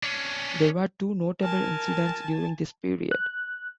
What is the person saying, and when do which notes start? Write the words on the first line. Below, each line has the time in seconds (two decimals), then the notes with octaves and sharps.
There were two notable incidents during this period.
0.03 C#4 D4
1.43 A#4 G#5 A5
3.11 F#6